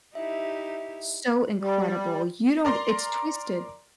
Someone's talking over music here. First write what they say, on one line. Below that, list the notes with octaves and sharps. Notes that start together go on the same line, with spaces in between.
So incredible, you don't g it's twisted.
D#4 E4 G4 E5
G3
A#4 D5 A#5 C6